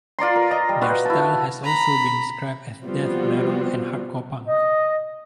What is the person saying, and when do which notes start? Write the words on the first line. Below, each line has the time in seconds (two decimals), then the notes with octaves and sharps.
Their style has also been described as death metal and hardcore punk.
0.19 F4 D5 A#5 C6
0.36 A#4
0.51 D#5 A#5
0.69 G3
0.81 F#4 B4 F5
1.06 E4 A5
1.64 A#5 B5
2.84 F3 G3 B3 C4 F4 F#4
4.47 D#5